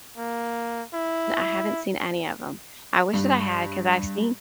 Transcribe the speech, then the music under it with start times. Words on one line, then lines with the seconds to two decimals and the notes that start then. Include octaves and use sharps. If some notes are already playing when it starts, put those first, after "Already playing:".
I haven't seen any of them. I wish that I had, 'cause I've seen
0.18 A#3
0.94 E4
3.14 G2